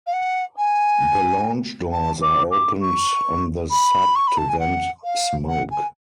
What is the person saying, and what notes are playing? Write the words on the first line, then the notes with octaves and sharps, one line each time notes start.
The launch doors are opened on the sub to vent smoke.
F5
F#5
G#5
A5
D6
D6
C#6
B5
C#6
B5
A5
G#5
F#5
F5
F#5
G#5